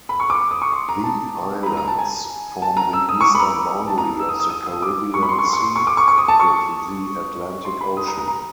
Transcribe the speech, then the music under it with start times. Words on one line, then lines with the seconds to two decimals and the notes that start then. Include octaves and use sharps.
The islands form the eastern boundary of the Caribbean Sea with the Atlantic Ocean.
0.09 B5
0.20 C#6
0.30 D6
0.51 D#6
0.62 C#6
0.72 C6
0.89 A#5
1.04 A5
1.63 B5
1.66 A#5
1.77 A#5
1.88 A5
1.98 G#5
2.62 A5
2.77 A#5
2.93 E6
3.09 D#6
3.21 C#6
3.25 D6
3.35 B5
3.40 A#5
3.87 A5
3.98 A#5
4.19 E6
4.29 D#6
4.40 D#6
4.50 D#6
4.66 D#6
4.82 D6
5.14 C#6
5.23 B5
5.29 C6
5.39 C#6
5.45 C6
5.53 C#6
5.61 C6
5.76 C#6
5.87 D6
5.97 C#6
6.08 C#6
6.18 D#6
6.28 A5
6.40 C#6
7.65 C6
7.81 B5
7.97 D#6
8.07 A#5
8.18 A#5
8.28 A#5